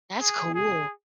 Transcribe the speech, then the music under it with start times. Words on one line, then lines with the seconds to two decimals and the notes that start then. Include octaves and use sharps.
That's cool.
0.21 G#4
0.55 G#4